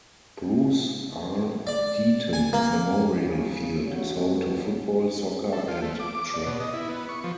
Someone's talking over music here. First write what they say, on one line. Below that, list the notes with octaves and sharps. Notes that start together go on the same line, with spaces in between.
Bruce R. Deaton Memorial Field is home to football, soccer, and track.
D5
G#5
A#3
C#3
G2 F#4 C#5
A4
F4
A3
D6
D6
D5
B2
D#5
E4
B3
C#6
F3